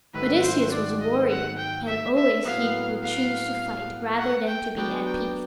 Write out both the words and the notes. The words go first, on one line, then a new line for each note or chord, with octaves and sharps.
Odysseus was a warrior, and always he would choose to fight rather than to be at peace.
G#2 D#3 F#3 A3 B4
C5
D5
D#5
F#5
G5
E5
E5
A2 F#3 B3 F5
F5
F#5
G5
F#3 B3 D4 G5
G5